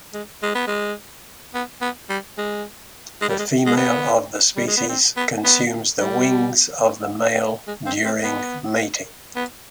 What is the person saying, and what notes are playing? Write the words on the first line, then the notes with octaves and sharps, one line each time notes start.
The female of the species consumes the wings of the male during mating.
G#3
G#3
B3
G#3
B3
B3
G3
G#3
G#3
G3
G#3
G#3
B3
G3
G#3
B3
C4
B3
B3
G3
G#3
C4
C4
B3
B3